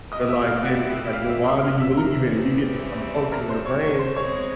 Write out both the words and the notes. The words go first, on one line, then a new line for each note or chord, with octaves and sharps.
but, like, then it's like, "Well, why do you believe in it?" You get to start poking their brains
A3 C4 E4 G4 B4 D#5 D#6
E5 E6
F5 F6
F#5 F#6
F5 F6
E5 E6
E5 E6
F5 F6
E5 E6
A#4 A#5
C#3 E3 G3 C4
A4 A5
A#4 A#5
C5 C6
C#5 C#6
C#5 C#6
C5 C6
B2 G#3 C4 C#5 C#6